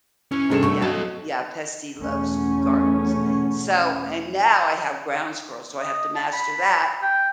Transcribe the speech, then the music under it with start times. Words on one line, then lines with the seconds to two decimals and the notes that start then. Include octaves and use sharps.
Yeah, yeah, pest he loves f gardens. So, and now I have ground squirrels so I have to master that,
0.32 E3 C#4
0.50 E2 G2 C3 G#3 G#4 A4 E7
0.63 B2 A3 C#6
0.82 F#3 A4 D#5
1.99 E2 B2 A3 B3 C#4
5.81 D#5
6.15 A5
6.33 B5
7.02 G5